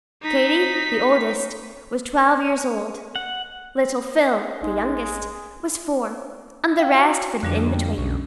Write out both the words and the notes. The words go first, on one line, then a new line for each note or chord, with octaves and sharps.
Katy, the oldest, was twelve years old; little Phil, the youngest, was four, and the rest fitted in between.
D#4 B6
F#5
A1 G#3 D#4 D#5
F5 G5
F#4 A#5 E6
F2 D3 G3 D4
B1 C#4